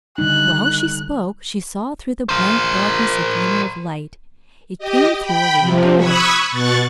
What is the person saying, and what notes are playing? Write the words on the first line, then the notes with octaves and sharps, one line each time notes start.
While she spoke, she saw through the blank darkness a glimmer of light; it came through a little door.
D3 G3 D#4 F#6
A#4 C5
G4 D#5
G5 B5
C3 F3
B5 C#6 D#6 E6 F#6 G#6
B2 C#6 F#6 A6